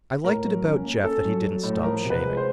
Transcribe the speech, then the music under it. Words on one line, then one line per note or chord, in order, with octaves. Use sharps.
I liked it about Jeff that he didn't stop shaving.
A2 A#4
F#3
C#4
A#3
C#4 A4
F#3
F#3
A2
F3 A#4
C3
B4
G#3
C5